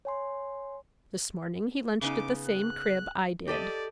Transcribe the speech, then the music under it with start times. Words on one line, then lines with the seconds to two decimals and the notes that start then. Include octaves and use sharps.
This morning he lunched at the same crib I did.
0.05 C#5 G#5 C6
2.02 C#3 B3 D#4 D6
2.46 F#6
3.47 G4 A4 D5 D#5